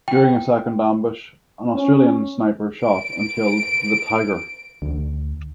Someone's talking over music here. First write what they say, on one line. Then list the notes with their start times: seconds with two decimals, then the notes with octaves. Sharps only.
During a second ambush, an Australian sniper shot and killed the "Tiger".
0.08 G5
1.75 C#4
2.82 D7
4.82 D2